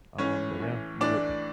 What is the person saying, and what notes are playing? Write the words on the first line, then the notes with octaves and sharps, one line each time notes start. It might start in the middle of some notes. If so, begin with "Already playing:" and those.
um, but yeah, Europe,
A2 E3 C#4 C#5
A2 E3
A2 E3 D4 D5